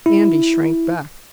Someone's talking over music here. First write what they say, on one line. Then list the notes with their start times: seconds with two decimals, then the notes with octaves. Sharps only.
Andy shrank back.
0.06 E4